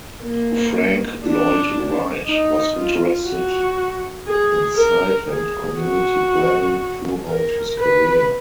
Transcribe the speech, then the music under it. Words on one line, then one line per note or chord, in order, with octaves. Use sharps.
Frank Lloyd Wright was interested in site and community planning throughout his career.
A#3
D4
D#4
F4
F#4
G#4
A#4
G#4
F#4
A#4
B4